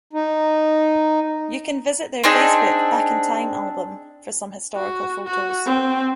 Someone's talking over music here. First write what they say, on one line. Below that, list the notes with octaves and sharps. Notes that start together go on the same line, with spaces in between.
You can visit their Facebook Back In Time Album for some historical photos.
D#4
C4 D4 D#4 G#4
F#4
F#4
C4